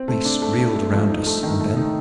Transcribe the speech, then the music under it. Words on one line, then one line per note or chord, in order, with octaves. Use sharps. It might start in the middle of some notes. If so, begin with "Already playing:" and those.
Space reeled round us, and then....
Already playing: C4
A3
D4
A3
A3
A3
F3
D#4
A3
D#3
A3
D#4